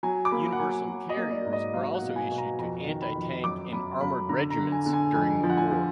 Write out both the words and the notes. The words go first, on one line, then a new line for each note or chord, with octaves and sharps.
Universal Carriers were also issued to anti-tank and armoured regiments during the war.
F#3 G#5
D6
A#3 B5
F#5
F#3 G#5
F#3
D#5
A#3
D5
G#2
D#5
F#3 F5
F#5
B2
G#5
B2
A#5
F2 A#5
D#3
B5
F2
F#2 D6
F#2 B5
F#2 B5
D3 A#5
A#5
D3
G#5
D3
G#5
F2 G#5
F3
F#5
G#5
F3